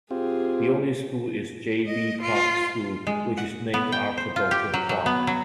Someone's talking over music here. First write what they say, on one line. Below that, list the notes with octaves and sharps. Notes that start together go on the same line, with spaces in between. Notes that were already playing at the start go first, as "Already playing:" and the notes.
The only school is J. V. Clark School, which is named after Doctor Clark.
C4 F4 G4 G#4
D#5
F4
G#3
F#5
B3
G5
C5
F4
G4
F#3
F#3
B3
F#3